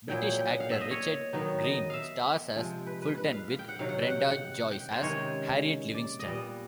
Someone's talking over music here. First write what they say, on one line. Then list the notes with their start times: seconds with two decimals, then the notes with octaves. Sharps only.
British actor Richard Greene stars as Fulton with Brenda Joyce as Harriet Livingston.
0.09 A#2 F#3 B3 E4 G5
0.40 G5
0.51 F#5
0.60 F5
0.71 E5
0.81 D#5
0.91 C#5
1.33 D#3 F#3 B3 D#4
1.63 D#5
1.90 E5 F5
2.56 C3 F3 G#3
2.87 B4
3.02 B4
3.17 B4
3.32 F5
3.48 F5
3.59 G5
3.69 F#5
3.79 C3 D#3 F#3 F5
3.89 F#5
4.00 G5
4.10 F#5
4.20 G5
4.30 F#5
4.72 G5
4.92 C5
5.02 C3 D#3 G#3 C#4 C#5
5.94 D5
6.19 D#5
6.25 A#2 G3 B3 D5